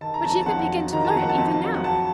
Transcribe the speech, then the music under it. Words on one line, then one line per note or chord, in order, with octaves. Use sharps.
"But you could begin to learn even now!"
D#3 A5
A#5
F2 A5
A5
F2 F#5
F#3
D#3 A#5
A5
F2 F#5
A5
F2
F#3
F#5
F#3 A5